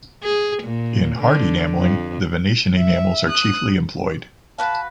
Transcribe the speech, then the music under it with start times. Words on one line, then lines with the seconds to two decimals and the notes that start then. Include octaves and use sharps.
In hard enameling, the Venetian enamels are chiefly employed.
0.23 G#4
0.63 A#2
1.20 D3
1.78 F2
2.78 E5
3.29 D#6 F#6
4.58 F#4 B4 F5 A5